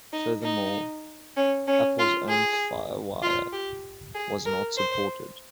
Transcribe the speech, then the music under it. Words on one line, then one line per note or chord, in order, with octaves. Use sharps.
Furthermore, Apple's own FireWire was not supported.
D#4
D#4
C#4
C#4
F4
G#4
F4
G4
G#4
A#4
C5